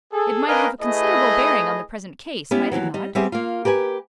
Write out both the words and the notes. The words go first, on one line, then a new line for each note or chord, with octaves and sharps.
"It might have a considerable bearing on the present case, might it not?"
G#4 A4
D4 A#4 B4 D#5 F5 G#5
A3 E4 G#4 B4 D#5
B3 C#4 E4 G4 B4
D#2 B2 E3 F#3
G3 D#5
G3 B3 C4 G4 G#4 E5
A#3 F4
G4 A#4 B4 G#5